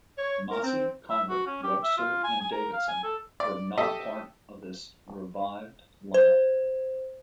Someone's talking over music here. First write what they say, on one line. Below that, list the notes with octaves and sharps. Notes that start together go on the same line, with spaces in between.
Masi, Conger, Webster and Davidson were not part of this revived line-up.
C#5
A#4
C4
E5
F#4
C#4
G4
E5
F4
G#5
G#5
A#4
F5
G#5
A4
D5
G4 A4 D#5 E5
C5